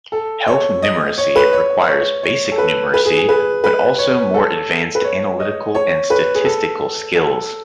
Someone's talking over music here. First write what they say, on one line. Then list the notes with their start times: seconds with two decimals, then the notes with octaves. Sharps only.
Health numeracy requires basic numeracy but also more advanced analytical and statistical skills.
0.12 A4
0.48 C#5
0.82 D#5
1.18 C#5
1.36 B4
1.53 C#5
1.88 C#5
2.23 C#5
2.52 A4
2.58 B4
2.94 B4
3.06 G#4
3.17 G#4
3.29 B4
3.64 B4
3.99 C#5
4.34 A4
4.95 B4
5.04 C#5
5.40 D#5
5.75 C#5
6.10 B4
6.35 G#4
6.45 A4
7.16 A4